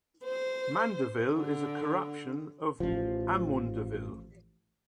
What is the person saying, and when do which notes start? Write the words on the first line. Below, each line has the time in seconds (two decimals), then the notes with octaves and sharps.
"Mandeville" is a corruption of "Amundeville".
0.24 C5
1.33 D3
2.80 A1 F3